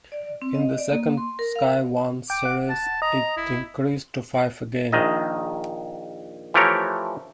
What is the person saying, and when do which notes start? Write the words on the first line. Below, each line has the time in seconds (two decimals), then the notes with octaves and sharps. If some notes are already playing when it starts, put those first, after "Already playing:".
In the second Sky One series, it increased to five again.
0.12 D5
0.42 C4
0.55 D#5
0.78 D5
0.91 A#3
1.17 C6
1.39 A#4
1.56 F5
2.30 D1 G5 D6
2.45 F#5
2.69 A5
3.02 D#5 A#5
3.37 F#1 E4
4.92 A#1 D#3 D#5
6.54 E3 F3 A3 G4 A#4 C#5